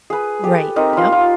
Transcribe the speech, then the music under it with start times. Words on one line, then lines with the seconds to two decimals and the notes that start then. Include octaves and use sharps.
Right, yup,
0.10 G#4 B4
0.44 G4 A4
0.76 C4 D#4 G4 A#4
0.93 F4 B5
1.12 F4